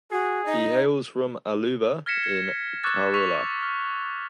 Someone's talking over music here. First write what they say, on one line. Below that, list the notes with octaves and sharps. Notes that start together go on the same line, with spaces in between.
He hails from Aluva in Kerala.
F#4 G#4
D#4 D#5
F6 G#6 A#6 B6 C#7 E7
G#6 C#7
C#6 D6 E6 F#6 G#6 A6
C#6 E6 B6 F7
F6